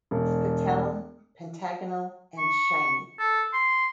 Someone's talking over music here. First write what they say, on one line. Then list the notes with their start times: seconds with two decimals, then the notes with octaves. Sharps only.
Scutellum pentagonal and shiny.
0.11 E1
2.38 C#6
3.19 A4
3.53 C6